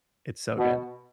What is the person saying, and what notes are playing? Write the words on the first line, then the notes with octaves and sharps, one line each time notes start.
It's so good.
B2